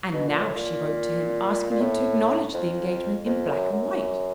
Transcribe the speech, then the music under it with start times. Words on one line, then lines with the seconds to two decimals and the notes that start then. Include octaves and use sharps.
And now she wrote to him asking him to acknowledge the engagement in black and white.
0.13 B2
0.28 A#2
0.42 A2
0.54 A#2
1.71 A#2
1.80 A2
2.53 F2
3.25 F2
3.49 F#2
3.73 F#2